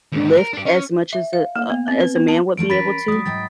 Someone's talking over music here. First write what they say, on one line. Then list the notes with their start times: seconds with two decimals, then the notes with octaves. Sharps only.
lift as much as a a as a man would be able to,
0.12 D#2 G#2
0.37 A#4
0.53 D4 G4
0.66 C#4
1.13 E5
1.33 F5
1.56 A#3
1.70 B3
1.88 C4
2.01 B4
2.15 B3
2.28 A5
2.57 E3 F3 A3 D7
2.70 C#4 A#4 B4 B5 A6 B6
3.08 F#3 G3 D#6
3.26 G#2 F#3 G5 A6